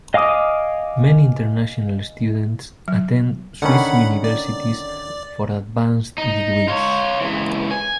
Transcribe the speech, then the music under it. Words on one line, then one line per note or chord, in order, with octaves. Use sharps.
Many international students attend Swiss universities for advanced degrees.
D#5 F5 G#5 D6 D#6
F#3
D3 D#3 C#4 F#5 B5
D5
D#4
F4 C#5
C#2 E3
G#5